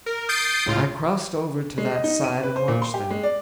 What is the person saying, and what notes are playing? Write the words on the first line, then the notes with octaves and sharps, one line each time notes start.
I crossed over to that side and watched them.
A#4
D#6 G6 A6 C7 D7
C#2 A2 F4
G#3
D#5
D#4
D#7
B4
C5
A#2
C6
G4
G#3
D5